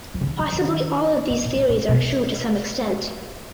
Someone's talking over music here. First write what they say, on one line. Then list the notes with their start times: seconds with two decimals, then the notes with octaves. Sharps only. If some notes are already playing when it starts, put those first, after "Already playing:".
Possibly all of these theories are true to some extent.
0.14 F3
0.21 C#3
0.27 D#3
0.39 F3
0.53 D#3
1.30 C#3
1.43 A#2
1.56 A#2
1.69 A#2
1.89 B2